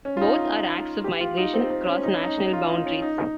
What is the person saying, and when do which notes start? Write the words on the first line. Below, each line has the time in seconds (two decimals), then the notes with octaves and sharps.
Both are acts of migration across national boundaries.
0.05 C#4
0.17 F4
0.21 D#4
0.38 D#4
1.04 G4
1.21 F4
1.37 D#4
1.54 C4
1.71 C4
1.87 C#4
2.03 D#4
2.13 C#4
2.24 D#4
2.53 F4
2.69 D#4
2.86 C#4
3.02 D#4